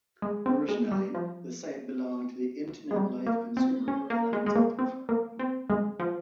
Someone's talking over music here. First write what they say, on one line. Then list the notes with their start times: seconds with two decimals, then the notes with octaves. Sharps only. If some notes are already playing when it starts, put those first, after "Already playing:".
Originally, the site belonged to Internet Life Consumer Group, a consulting firm.
0.22 G#3
0.46 C4
0.68 G#3
0.91 G3
1.15 F3
2.91 G#3
2.96 G3
3.26 A#3
3.57 C4
3.88 C#4
4.10 A#3
4.33 G#3
4.46 G#3
4.56 A#3
4.79 C4
5.09 A#3
5.39 C4
5.70 G#3
6.00 F3